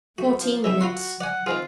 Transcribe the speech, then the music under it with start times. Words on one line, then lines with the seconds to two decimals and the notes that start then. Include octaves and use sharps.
Fourteen minutes.
0.18 A3 F#4
0.39 F3
0.64 C3 D#3 F#3 E5
0.81 F4 F#4 B5 C6
1.21 D5 F#5 G#5
1.46 D#3 C4 F4 G#4